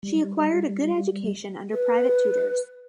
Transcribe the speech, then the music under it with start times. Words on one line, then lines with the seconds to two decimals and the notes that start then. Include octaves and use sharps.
She acquired a good education under private tutors.
0.03 G3
1.71 B4